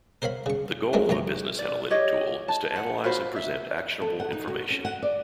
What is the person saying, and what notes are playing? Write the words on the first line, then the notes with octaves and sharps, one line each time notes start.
The goal of a business analytic tool is to analyze and present actionable information.
A#4 C5 C#5 F5 B5
C#3 C#6
G#3 A3 C4 C#4 A#4
F2 A3 C#5 A#5
D5
G4 C#5 D#5
A5
F#5
F4 F#4 B4 C5
E5
A4
F#5
D#4
F#4
C#4
F#5
D5